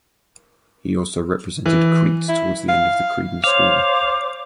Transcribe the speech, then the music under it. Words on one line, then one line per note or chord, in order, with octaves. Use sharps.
He also represented Crete towards the end of the Cretan School.
E3
E4
F5
C5 C#5 F5 D6